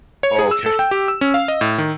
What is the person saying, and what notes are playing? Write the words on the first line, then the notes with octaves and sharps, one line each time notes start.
Oh, okay.
C#5
G#4
E6
A4
G5
G4
E6
C#4
F5
D#5
A2
D#3